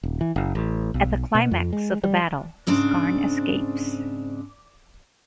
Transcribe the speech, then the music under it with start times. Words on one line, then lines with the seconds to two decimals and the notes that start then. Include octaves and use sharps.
At the climax of the battle, Scarn escapes.
0.03 D#1
0.21 E3
0.36 F#1
0.55 A1
0.94 B1
1.35 B2
1.51 F2
1.73 G#3
2.04 G3
2.67 G#2 C#3 C4 D4